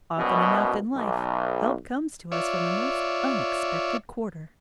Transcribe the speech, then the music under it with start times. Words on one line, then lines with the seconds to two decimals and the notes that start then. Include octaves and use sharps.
Often enough in life help comes to us from the most unexpected quarter.'
0.18 C2 F#2 B2
0.96 B1
2.32 F4 C#5 D5 E5